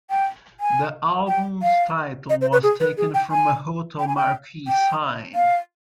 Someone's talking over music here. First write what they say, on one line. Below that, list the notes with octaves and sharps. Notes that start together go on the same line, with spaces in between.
The album's title was taken from a hotel marquee sign.
G5
G#5
G5
F5
D#5
C5
B4
G#4
B4
G#4
G5
G#5
G5
G#5
G5
G5
F5